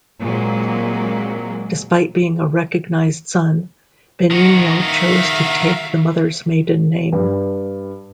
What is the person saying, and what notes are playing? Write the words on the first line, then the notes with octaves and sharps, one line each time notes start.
Despite being a recognized son, Benigno chose to take the mother's maiden name.
A#2 F#3 G#3 A#3 C4
D#3 F#4
E5 F5
G2